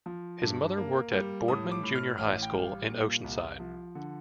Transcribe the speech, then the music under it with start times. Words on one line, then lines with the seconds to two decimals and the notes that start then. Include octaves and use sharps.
His mother worked at Boardman Junior High School in Oceanside.
0.06 F3
0.42 G2
0.77 A#3
1.13 G3
1.48 A2 D#6
1.71 D6
1.83 A2
1.95 F6
2.18 A1 F6
2.43 G5
2.53 G3
2.65 F5
2.89 A#2
3.24 C2
3.60 F3
3.95 D3